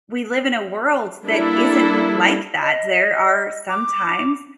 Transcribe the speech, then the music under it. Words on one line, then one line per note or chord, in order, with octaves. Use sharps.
we live in a world that isn't like that, there are some times
G3 A#3 D4 E4 A4
D#5
D6